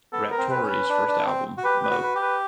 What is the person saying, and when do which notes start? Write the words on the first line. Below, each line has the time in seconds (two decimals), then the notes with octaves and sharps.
Raptori's first album, Moe!
0.13 B3 A4
0.31 A#4
0.38 C4
0.51 B4
0.63 C#4
0.69 B4
0.89 D4
1.08 D4
1.27 C4
1.57 F#4
1.64 G4 B4
1.84 B4
1.91 F#4
2.03 B4
2.15 G4
2.22 B4